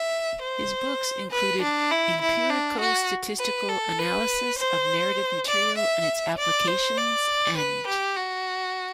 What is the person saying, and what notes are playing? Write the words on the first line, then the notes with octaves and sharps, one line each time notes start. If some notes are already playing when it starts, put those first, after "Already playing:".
His books include "Empirico-statistical Analysis of Narrative Material and Its Applications" and "".
Already playing: E5
C5
B4
D4
E4
E4
D4
F#4
B4
A4
B4
C5
D5
E5
D5
C5
D5
B4
G4
F#4